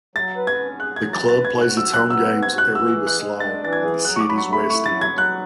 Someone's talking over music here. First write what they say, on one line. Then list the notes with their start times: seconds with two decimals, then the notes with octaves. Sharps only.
The club plays its home games at Rubislaw in the city's west end.
0.15 F#3 A6
0.36 B4
0.47 G#6
0.59 C#4
0.80 G#4 F#6
0.96 G#6
1.02 F#3
1.13 A6
1.23 B4
1.29 A6
1.45 G#2 G#6
1.61 F#6
1.67 F#4
1.77 E6
1.88 F#3
1.94 F#6
2.10 B3 E6
2.32 G#2
2.43 G#6
2.53 F#4 F#6
2.75 E3 E6
2.96 G#4
3.07 F#6
3.18 G#3
3.40 D4 A6
3.62 E3 A6
3.73 G#6
3.83 G#4
4.04 F#3 F#6
4.16 C#6
4.21 D6
4.26 F#3 B5
4.37 C#6
4.47 A3
4.53 B5
4.70 E4 C#6
4.86 A6
4.91 F#3
5.01 G#6
5.13 F#3
5.18 F#6